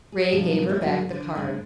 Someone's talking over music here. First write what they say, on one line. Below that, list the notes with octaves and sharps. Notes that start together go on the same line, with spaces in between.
Ray gave her back the card.
G#4
G2 B2 F3 F#3
F2 G#3 A#3 E4 B4 C#5
G2 F#3 A#3 F#4 G#4
D3 D4
G2 G#3 D4